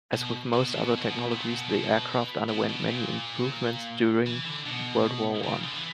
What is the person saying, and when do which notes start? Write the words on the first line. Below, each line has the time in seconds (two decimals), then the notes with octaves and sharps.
As with most other technologies, the aircraft underwent many improvements during World War One.
0.13 B2
0.53 B2
0.72 B2
0.98 A#2
1.02 B2
1.32 A#2
1.51 B2
1.70 B2
2.49 B2
2.69 B2
2.88 A#2
4.27 E3
4.45 D3
4.66 B2
5.44 C#3
5.64 D3
5.75 E3